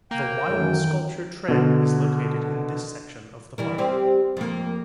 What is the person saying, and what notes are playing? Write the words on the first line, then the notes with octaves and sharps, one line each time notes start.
The "Wild Sculpture Trail" is located in this section of the park.
A#3 G5
F#2 D#3 E3
B2 D3
E3 G3 A#4
G3 C4 G4
F2 A#3